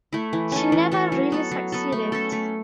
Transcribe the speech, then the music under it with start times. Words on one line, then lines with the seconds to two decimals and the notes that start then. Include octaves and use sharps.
She never really succeeded.
0.13 A3 E4
0.33 E3
0.52 C#4 A4
0.72 E3
0.92 C#4 A4
1.12 F#3
1.32 B3 A4
1.51 F#3
1.72 B3 A4
1.92 A3
2.12 C#4 A4
2.32 A3